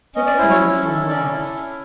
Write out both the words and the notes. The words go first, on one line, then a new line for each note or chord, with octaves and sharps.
SIX months have elapsed.
C#4 D#5
D5
E4 C5
C#5
C#4
A4
C#4 D5
E4
C#4